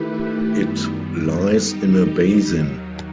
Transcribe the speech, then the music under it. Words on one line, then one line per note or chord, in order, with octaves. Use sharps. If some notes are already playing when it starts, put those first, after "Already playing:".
It lies in a basin.
Already playing: D#3 A3 E4 G4 B4
F#2 D#3 G3 B3
G3 D#4 G4
D#2 D#3 F#3